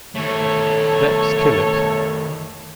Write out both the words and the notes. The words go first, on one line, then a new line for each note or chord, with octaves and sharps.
Let's kill it.
D#3 A3 A4 C#5